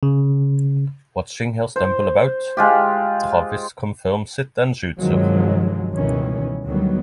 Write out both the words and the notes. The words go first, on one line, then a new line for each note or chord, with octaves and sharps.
Watching her stumble about, Travis confirms it and shoots her.
C#3
C5
G#3 F4 G4
G2 C3 D#3 F3 F#3 G#3
C#2 B2 D#3 E3 G3 C#4
D2 D#3 F#3 G3 B3